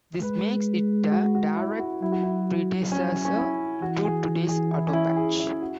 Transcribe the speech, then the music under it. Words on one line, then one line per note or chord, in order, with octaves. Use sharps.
This makes it a direct predecessor to today's autopatch.
G#3 B4
F#4
F#4
E4
F#4
F#3 E4
F#4
E4
C#4
C#4
C#4
E4
E3 F#4
G#4
G#4
E4
C#4
E4
G#4
E4
F#4